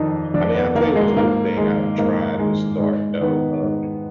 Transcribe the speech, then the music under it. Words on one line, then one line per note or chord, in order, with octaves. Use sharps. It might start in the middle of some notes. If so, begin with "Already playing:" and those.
I mean, I'll tell you this new thing I've tried to start, though, um,
Already playing: F2 D#3 D4 D#4
F2 D4
B3
D#3 A#3
G#3
G#2 A#3
D#3 G#3
G#2 A#3
D#3 G#3
G#2 G#3
D#3 B3
G#2